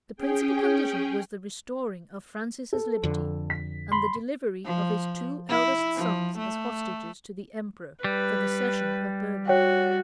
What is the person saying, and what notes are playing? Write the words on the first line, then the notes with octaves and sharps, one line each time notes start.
The principal condition was the restoring of Francis's liberty, and the delivery of his two eldest sons as hostages to the emperor for the cession of Burgundy.
C#4 G#4 G5
A4
F2 D3
B6
B5 C6
F3
E4
F3
A3
G3 B4
F#4 C#5 F#5 G5